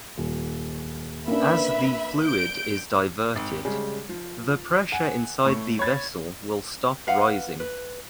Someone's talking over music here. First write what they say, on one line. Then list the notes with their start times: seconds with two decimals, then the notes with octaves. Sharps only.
As the fluid is diverted, the pressure inside the vessel will stop rising.
0.18 D#1
1.28 A#3 C#4 D4 B4 E5 B5
2.22 G6 D7
3.36 G#1
3.65 C#3 G3 G#3
4.09 F3
4.92 F#5 G#5
5.45 A2 C#6
5.79 C#5 B5 G#6 A6
7.07 B4 F5 F#5
7.60 B4